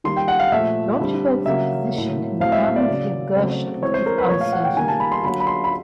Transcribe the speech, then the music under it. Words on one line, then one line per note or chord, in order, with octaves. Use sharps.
Jochebed's position in the family tree of Gershon is uncertain.
D#3 G3 A#3 C6
G5
F#5
F5
A#2 F3 A3 E5
D3 G3 C4
C#3 F#3 A#3 E5
A2 F#3 A#3
A2 F#3 A3 C4 F5
E5
E5
D5
C#3 F#3 A#3
C#3 F#3 A3 C4
E3 G#3 C4 C#5
C5
A#4
B4
A#2 F3 A3 C#5
F5
F#5
G5
D#3 G3 A#3 G#5
A5
B5
C6
D3 F#3 A#3 B5
B5
C6
B5